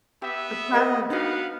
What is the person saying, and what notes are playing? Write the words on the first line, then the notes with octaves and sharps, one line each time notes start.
The problem
B3 G4 E5
G4 A#4 C5 D#5
B3 D4 D#4 F#4 F5 F#5